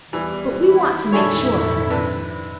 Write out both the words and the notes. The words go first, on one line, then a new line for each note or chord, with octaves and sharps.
But we want to make sure.
E2 E3 G3
D#3 E4
A#1 F2 G#2 D4 G#4 A4 C#5
C3 D4 B4